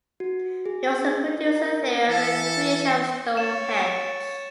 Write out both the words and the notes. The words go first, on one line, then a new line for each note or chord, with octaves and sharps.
He also produced a theory on the creation of Stonehenge.
F#4
G#4
A#4
E3 A4
C#5 A6 E7